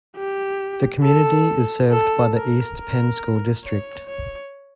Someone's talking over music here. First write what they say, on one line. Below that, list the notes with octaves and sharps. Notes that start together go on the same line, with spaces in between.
The community is served by the East Penn School District.
G4
A4
A4
A#4
A#4
C#5
C#5